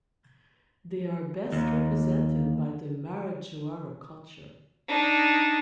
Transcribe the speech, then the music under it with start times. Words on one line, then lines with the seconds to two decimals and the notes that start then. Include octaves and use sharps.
They are best represented by the Marajoara culture.
1.52 D#2
4.88 D4 D#4